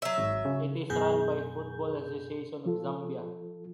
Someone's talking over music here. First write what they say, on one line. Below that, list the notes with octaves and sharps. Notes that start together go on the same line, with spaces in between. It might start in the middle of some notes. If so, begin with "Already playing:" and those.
It is run by the Football association of Zambia.
F#3 E5
G#1
C#3
F#2 B2 G#4 G6
F3 F4 A4